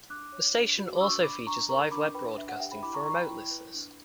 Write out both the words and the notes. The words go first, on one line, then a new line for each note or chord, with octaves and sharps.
The station also features live web broadcasting for remote listeners.
D4 D6 F#6
C#5
D4
F#4
D6
D4 C#6 E6
D5 B5 D6
D4 A#5 C#6
A#4 A#5 C#6
D4 B5 D6
B4 G5 B5
D4 E5
F#5
G4 E5 G5
G5 B5
E4 B5 D6
A#5 C#6
D5 A#5 C#6
G5 B5
E4
B4
D4